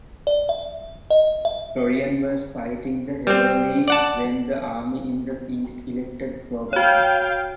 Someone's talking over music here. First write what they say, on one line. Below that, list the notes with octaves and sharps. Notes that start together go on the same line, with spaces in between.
Florian was fighting the Heruli when the army in the East elected Probus.
D5
E5
D#5
E5
G3 C4
D5 F#5 A5
F#4 C#5 F5 G5